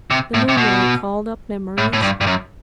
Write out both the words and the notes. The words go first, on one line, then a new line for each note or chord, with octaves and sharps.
The moonlight called up memories.
C3
A2
C3
B2
A2
A2
G2
G2
F#2